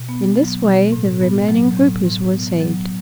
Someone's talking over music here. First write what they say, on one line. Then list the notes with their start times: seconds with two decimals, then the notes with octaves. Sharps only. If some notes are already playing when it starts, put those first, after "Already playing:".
In this way the remaining Hoopoes were saved.
Already playing: B2
0.09 B3
0.37 F#3
0.65 B2
0.92 A2
1.21 B3
1.49 F#3
1.77 A2
2.05 A2
2.32 B3
2.60 F#3